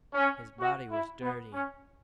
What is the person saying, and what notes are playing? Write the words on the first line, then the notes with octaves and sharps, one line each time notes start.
His body was dirty.
C#4
F#4
E4
B3
C#4